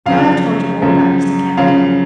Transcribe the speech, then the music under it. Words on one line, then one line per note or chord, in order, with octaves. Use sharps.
"Now I have told you all about Mr. Camperdown."
F#2 C#3 F3 F5
F#2 C#3 F3
F#2 C#3 F3 F5